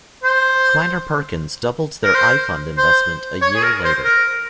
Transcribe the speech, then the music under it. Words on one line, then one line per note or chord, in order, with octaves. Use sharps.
Kleiner Perkins doubled their iFund investment a year later.
C5
A#4
C5
C5
C#5
G#4
A#4
C5
A#4